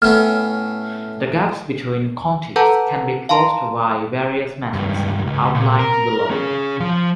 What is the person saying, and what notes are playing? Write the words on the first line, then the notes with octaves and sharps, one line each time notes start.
The gaps between contigs can be closed by various methods outlined below.
A2 B3 C#4 F6
A4 B4 F#5 A5 A#5 G6
F5 A5 A#5 C6
C#2 G2
C#2
A#2
A#4
C#4 G#4
F3 C6